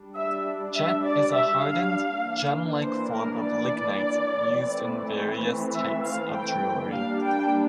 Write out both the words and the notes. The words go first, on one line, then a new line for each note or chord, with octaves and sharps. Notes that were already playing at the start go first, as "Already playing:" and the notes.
Jet is a hardened, gem-like form of lignite used in various types of jewelry.
Already playing: G3 D4
E5
E5
D5
E5
F5
E3 A#3 D4
C5
A#4
D5
E3 A3 C4
E5
F5
G5
G3 A#3 D4 F5
G5